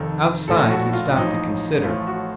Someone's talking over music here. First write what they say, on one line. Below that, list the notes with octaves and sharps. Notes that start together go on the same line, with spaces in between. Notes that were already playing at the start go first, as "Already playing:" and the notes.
Outside, he stopped to consider.
Already playing: F1 F2 D#3 A4
A#1 A2 F3 A4
F#4
F4
A1 A2 F3 D#4
A1 A2 F3 A3 F4
F#4